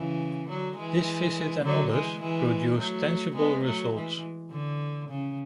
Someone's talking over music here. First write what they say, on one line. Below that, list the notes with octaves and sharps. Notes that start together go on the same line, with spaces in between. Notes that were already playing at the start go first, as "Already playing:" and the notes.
This visit and others produced tangible results.
Already playing: C#3 E3
D3 F#3
E3 G#3
D3 F#3
E3 G#3
E3 G#3
F#3 A3
G#3 B3
F#3 A3
E3 G#3
D3
C#3